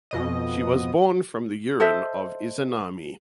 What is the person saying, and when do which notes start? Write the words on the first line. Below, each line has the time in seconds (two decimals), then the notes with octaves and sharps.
She was born from the urine of Izanami.
0.11 F2 B2 D#5
1.80 A4 C5 D#5 E5